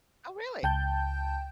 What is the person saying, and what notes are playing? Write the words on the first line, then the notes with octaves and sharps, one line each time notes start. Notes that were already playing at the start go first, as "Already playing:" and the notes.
Oh, really?
C#2 G5 A5 G6